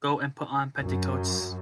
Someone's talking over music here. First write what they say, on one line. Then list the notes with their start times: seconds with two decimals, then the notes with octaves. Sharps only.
Go and put on petticoats.
0.82 F#2